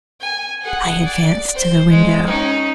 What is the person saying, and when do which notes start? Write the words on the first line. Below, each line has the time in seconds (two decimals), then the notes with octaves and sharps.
I advanced to the window.
0.20 G#5
0.62 G#4 F#5
1.05 D5
1.54 C5
1.90 G#3
2.26 C#4 D#4